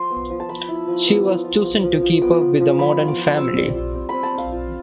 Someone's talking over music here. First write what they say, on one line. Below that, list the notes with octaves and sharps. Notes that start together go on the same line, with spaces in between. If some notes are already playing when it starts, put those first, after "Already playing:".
She was chosen to keep up with the modern family.
Already playing: F3 C6
B3
F3
A5
F3 B5
E4
F3
B3
F3
F4
F3
F3
F3
B3 D6
B3
F3
F3 B5
F4
D6
F3
C4 E6
G3
F4
C4
C4 B5
A5
C4 F5
F4